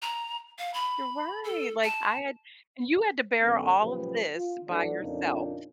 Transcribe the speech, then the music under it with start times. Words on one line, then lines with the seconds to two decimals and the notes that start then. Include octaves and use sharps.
Y right. Like, I had and you had to bear all of this by yourself.
0.02 A#5
0.58 F5
0.74 B5
1.44 A4
1.83 A5
3.43 F#2 D3 A3 B3
3.81 A#2 C#3 F3 F#3 G4 B4
4.36 F4
4.69 E3 F#3 A3 D4
5.00 F2 A#2 C#3 D4 D#4